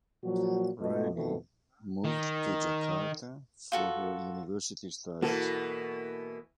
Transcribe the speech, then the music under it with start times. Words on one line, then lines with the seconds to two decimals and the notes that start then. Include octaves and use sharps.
Rani moved to Jakarta for her University studies.
0.23 A#2 F3 F#3 F#4
0.81 B2 A3 B3 F4 A4 D#5
1.15 F2 B2 D#3 A3
2.04 D#3
3.72 F4 F#4 A4
5.22 B2 E3 A#3 F#4 A4